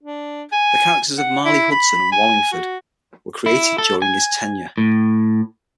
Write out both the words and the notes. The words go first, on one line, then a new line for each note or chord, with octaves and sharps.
The characters of Marley Hudson and Wallingford were created during his tenure.
D4
G#5
F#5
E4
B5
G#5
F#4
E4
A4
G#5
A2